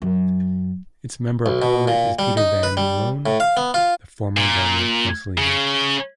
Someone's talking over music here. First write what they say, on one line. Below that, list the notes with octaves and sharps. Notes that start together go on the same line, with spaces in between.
Its Member of Parliament is Peter Van Loan, the former Government House Leader.
F#2
B1
B2
A#2
G3
D#4
B4
G3
A2
F5
B3
F4
A#2
C#3